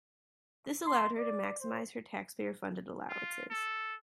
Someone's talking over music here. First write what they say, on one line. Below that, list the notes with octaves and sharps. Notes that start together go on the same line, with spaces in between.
This allowed her to maximise her taxpayer-funded allowances.
C6
D5
C5
F4
A4